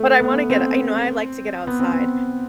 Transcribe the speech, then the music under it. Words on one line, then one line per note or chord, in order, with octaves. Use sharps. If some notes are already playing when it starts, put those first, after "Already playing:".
but I wanna get you know, I like to get outside,
Already playing: A3
B3
C4
B3
C4
B3